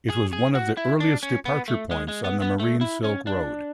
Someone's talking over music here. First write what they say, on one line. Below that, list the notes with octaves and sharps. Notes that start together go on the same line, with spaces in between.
It was one of the earliest departure points on the Marine Silk Road.
G#4
G#4
F#4
E4
D4
C#4
B3
A3
G#3
G#3
B3
B3
A3
E4
C#4
D4